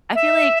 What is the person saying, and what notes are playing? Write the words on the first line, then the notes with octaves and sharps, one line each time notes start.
I feel like
E5